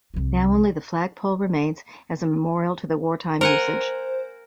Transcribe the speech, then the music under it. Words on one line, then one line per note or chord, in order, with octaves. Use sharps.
Now only the flag pole remains as a memorial to the wartime usage.
C2 F3
A#4 C5 F#5 G#5